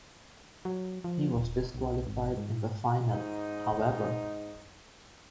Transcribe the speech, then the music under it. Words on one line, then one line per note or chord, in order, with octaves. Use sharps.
He was disqualified in the final, however.
F#3
F3
D#1
B1
G#1
G#2
G#2 D#4